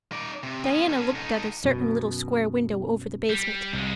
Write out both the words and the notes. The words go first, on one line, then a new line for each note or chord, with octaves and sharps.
Diana looked at a certain little square window over the basement.
D#4 D5
C3
B3 C#4
C#4 A4
D#4 A4
F#2 B2
G3
C2 F2 G#3